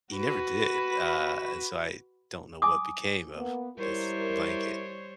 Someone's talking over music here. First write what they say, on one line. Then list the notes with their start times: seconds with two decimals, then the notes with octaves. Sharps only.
he never did. Uh, and so I don't know what became of this blanket,
0.14 F#4 B4
2.62 G#5 D6 D#6
3.35 A#3 B3
3.78 G3 E4 A#4 C5 C#5